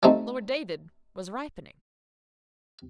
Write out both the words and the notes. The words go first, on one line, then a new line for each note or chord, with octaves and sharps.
Lord David was ripening.
G3 A3 C4 D#4